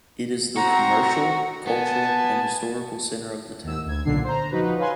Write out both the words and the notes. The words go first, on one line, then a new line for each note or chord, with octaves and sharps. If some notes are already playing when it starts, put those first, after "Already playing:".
It is the commercial, cultural and historical center of the town.
C4 F#4 A#5
B3 G#5 A5
D#2 E6
D2 G#6
B1 A#2 D3 D4 C7
C5 A#5
F3 D#4 F#4 B4
B4 C#5 F5 G#5 C6